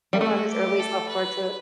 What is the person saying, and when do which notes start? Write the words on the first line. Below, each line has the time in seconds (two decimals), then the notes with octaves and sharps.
I love his early self-portraits.
0.13 G3
0.21 A3 F#4
0.50 G4
0.79 A4
1.08 B4